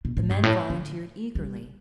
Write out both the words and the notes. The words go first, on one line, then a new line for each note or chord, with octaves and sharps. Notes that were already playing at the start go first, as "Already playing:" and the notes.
The men volunteered eagerly.
B2
A2
G2
A2
D3
G3